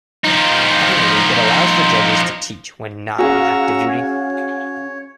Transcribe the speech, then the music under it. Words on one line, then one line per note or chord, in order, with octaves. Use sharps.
Finally, it allows for judges to teach when not on active duty.
F3 D#4
C#4 F#4 G#4 F5 A#5 C#6 E6
C#5